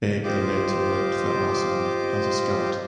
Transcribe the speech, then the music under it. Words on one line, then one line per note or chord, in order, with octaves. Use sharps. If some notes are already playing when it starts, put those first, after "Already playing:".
Baker later worked for Arsenal as a scout.
F4 G4 C5 D#5 D6